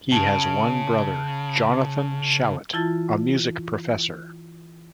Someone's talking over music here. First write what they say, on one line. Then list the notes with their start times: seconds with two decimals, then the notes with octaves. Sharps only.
He has one brother, Jonathan Shallit, a music professor.
0.12 C#3 A5 D7
2.73 E3 E4 F4 A5 A6